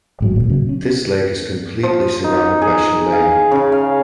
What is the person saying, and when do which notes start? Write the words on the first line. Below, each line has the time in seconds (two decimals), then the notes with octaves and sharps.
This lake is completely surrounded by chalet.
0.21 A1 G#2 F#3
0.35 D1 A#2
0.49 C#3 F#3
0.69 C#4
1.83 F3
2.24 D#4
2.62 G#4
3.12 F5
3.51 C#3
3.72 F5